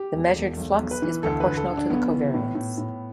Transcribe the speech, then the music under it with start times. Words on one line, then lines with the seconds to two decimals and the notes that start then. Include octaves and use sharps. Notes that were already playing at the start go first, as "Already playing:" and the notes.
The measured flux is proportional to the covariance.
Already playing: G4
0.13 E1
0.36 E1
0.57 B1
0.79 B1
0.91 B4
1.02 E3
1.23 D2 A4
1.40 B4
1.45 D2
1.57 A4
1.68 D3
1.77 D4
1.90 B1 B3
2.11 E3
2.34 A2
2.55 A2
2.78 A2